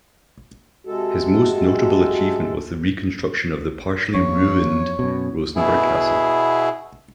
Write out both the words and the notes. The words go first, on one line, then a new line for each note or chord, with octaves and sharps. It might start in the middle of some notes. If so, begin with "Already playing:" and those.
His most notable achievement was the reconstruction of the partially ruined Rosenburg Castle.
C3 G#3 F#4 A4
F2 C#5
F#2 B2
B2 B3 E4 G#4